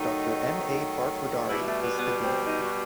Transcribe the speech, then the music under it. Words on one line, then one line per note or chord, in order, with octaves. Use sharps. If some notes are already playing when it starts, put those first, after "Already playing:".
Doctor M. A. Barkhordari is the dean.
Already playing: D#3 F#3 A3 D#4
B2 G3 E4
A3
B3
B3
C4
D#4
F#4